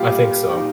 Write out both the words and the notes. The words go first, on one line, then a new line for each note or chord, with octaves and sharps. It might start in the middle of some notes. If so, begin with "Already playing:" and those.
I think so.
Already playing: A#2 G3 F4 G4
A#2 G3
D#4
A#2